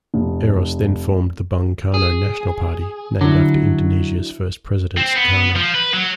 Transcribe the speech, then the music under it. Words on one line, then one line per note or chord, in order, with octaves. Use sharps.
Eros then formed the Bung Karno National Party, named after Indonesia's first president Sukarno.
F1
G#4
D3 F#3 D4 E4
C4
B3
F3
B4
F#3